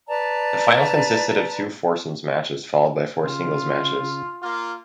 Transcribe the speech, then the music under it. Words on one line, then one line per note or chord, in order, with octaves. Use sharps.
The final consisted of two foursomes matches followed by four singles matches.
B4 D5 A5 A#5
C#3 F4
A#3 F4